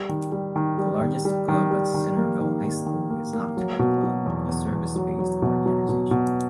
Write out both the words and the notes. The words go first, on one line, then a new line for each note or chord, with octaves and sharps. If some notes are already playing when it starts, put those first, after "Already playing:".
The largest club at Centerville High School is Octagon Club, a service-based organization.
Already playing: G3
D#3
G3
D#3
G3
D#3
G3
D#3
G3
D#3
A#3
D#3
D#3
D#3
A#3
A#3
F#3
B2
F#3
E2
E2
E2
F#3
F#3
B2
F#3
B2
B2